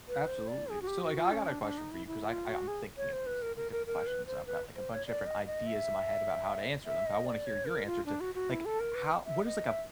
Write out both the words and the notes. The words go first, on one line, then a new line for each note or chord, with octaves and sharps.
Absolutely. So, like, I got a question for you ‘cause I I I'm thinking of these, like, different questions. I've got, like, a bunch of different ideas in my head about how to answer them, but I wanna hear your answer to, like, how what is, like, a
B4
C5
D5
G#4
F#4
G4
F#4
F4
C#4
D4
D4
D#4
E4
E4
F4
F#4
G#4
C#5
C5
B4
A#4
A#4
A#4
A#4
B4
C5
B4
C5
C#5
D5
D#5
D#5
E5
E5
D#5
D5
C#5
A#4
F4
D4
F#4
F#4
E4
A4
A#4
B4
E5
D#5
E5